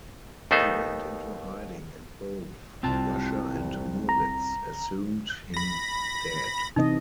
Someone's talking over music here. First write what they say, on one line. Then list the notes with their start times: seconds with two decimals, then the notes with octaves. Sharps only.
He went into hiding and both Russia and Murids assumed him dead.
0.51 D#2 A3 B3 D#4 C5
2.83 C2 C4 F4 A5
4.09 A#5
5.54 B5 A#6
6.76 C3 E3 D#4 D#5